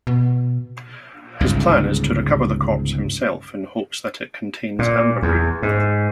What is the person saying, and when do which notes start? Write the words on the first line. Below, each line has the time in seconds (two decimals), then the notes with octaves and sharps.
His plan is to recover the corpse himself in hopes that it contains ambergris.
0.07 B2
1.40 G1 C#2 G#2
4.79 A#2
5.22 E2
5.62 G#2